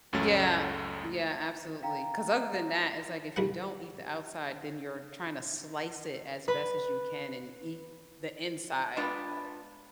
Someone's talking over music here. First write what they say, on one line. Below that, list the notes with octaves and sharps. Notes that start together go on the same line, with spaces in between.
Yeah, yeah, absolutely. 'Cause other than that, it's like if you don't eat the outside, then you're trying to slice it as best as you can and eat the inside, uh,
C#2 F#2 A3 C#4 A6
F5 G5 A#5
A#1 G3 F#5
B4
G#3 B3 D4 F4 B4 G5